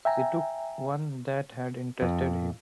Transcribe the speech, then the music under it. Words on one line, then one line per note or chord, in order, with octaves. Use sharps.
She took one that had interested him.
E5 G5 G#5 A#5
F2